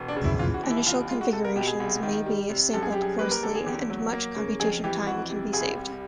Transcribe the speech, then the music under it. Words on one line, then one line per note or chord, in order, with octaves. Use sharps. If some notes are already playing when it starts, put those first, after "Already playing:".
Initial configurations may be sampled coarsely, and much computation time can be saved.
Already playing: E1
D4
C#3
E4
E3 F4
F#4
D#2
E4
C2 F4
G#3 F4
F#4
C2 A4
A#4
B2 G4
G#4
C2
D#3
G3
C3
F#2 A4
G#4
G3 G4
G#4
A#3 B4
A#4
D3 A4
G#4
E2 G4
F#3
A#3
C#3
F2 G#4
E3 G4
F2 F#4
C3
C2 G#4
G3